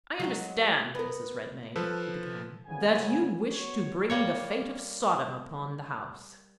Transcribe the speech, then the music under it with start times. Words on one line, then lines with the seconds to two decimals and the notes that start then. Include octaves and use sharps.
"I understand, Mrs. Redmain," he began, "that you wish to bring the fate of Sodom upon the house."
0.20 F#3 G#3 F#4
0.95 B3 A#4
1.76 F3 A4 B4
2.67 F#1 C2 C#3 B3 G#5
3.51 B3 F#4 C#5
4.10 G3 A#3 C#5